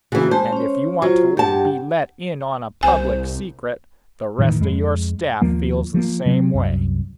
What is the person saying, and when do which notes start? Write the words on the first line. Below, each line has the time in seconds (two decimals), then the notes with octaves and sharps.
And if you want to be let in on a public secret--the rest of your staff feels the same way.
0.12 C#3 E3 A#3 F#4
0.31 G#3 C5 A5
0.53 C#4 C#5
1.02 F#3 F4 C5
1.37 G2 G4 F#5 G5 A5
2.83 C2 C5 G#5
4.38 E1 A2 D#3 E3
4.60 F2 G#3
5.42 D#2 F3 A#3
5.94 F3 A#3
6.26 C3 F#3 C4
6.54 C2 F#2